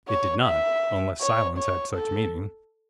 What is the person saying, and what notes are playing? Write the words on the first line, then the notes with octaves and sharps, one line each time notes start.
It did not,--unless silence had such meaning.
C#5
E5
C#5
C#5
A4